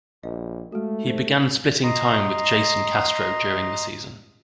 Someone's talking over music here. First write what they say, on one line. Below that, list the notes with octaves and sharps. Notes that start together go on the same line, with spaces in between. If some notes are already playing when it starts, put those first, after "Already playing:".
He began splitting time with Jason Castro during the season.
A#1 D#5
G#3 A3 F#4
D#4 C5
D#5 A#5 C6